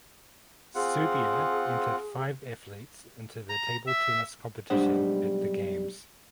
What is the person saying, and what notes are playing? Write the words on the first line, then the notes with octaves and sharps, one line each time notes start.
Serbia entered five athletes into the table tennis competition at the games.
C4 F4 G#4 F#5
A#5
E5
B1 G3 G#3 D4 C5 F#5